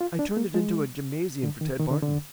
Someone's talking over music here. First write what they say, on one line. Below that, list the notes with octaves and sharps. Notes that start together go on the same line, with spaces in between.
I turned it into a gymnasium for Ted Barton.
F4
D4
A#3
G#3
D3
D#3
D#3
D3
D3